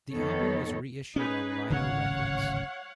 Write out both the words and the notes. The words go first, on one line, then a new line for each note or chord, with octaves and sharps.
The album was reissued on Rhino Records.
F2 D#3 B3 A4 C#5
C#4 D#4 G#4 B4
D1 G#1 C#3 C#5 F5 F#5